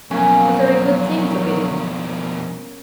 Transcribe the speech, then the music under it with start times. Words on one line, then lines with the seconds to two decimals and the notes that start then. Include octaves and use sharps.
A very good thing for Biddy.'
0.11 F2 B2 F#3 A#3 C#4